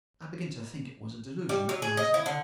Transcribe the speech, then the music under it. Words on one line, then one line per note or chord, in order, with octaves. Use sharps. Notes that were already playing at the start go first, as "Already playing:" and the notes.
"I begin to think it was a delusion," he answered.
G3
F#3
G#4
D#5
E4
D3